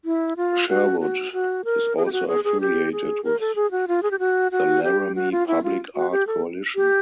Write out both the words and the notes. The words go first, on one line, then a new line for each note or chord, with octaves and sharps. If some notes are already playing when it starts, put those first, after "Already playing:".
Sherwood is also affiliated with the Laramie Public Art Coalition.
E4
F4
F#4
F#4
F#4
A#4
G#4
G4
F#4
G#4
G#4
G4
G#4
A#4
A4
G#4
F#4
F4
G#4
G4
F#4
F#4
G4
F#4
F4
E4
F4
F#4
G4
A4
G4